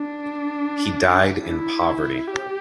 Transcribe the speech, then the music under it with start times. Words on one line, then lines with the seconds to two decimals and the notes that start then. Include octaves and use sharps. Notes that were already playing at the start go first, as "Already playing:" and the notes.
He died in poverty.
Already playing: D4
1.45 E4
2.28 G4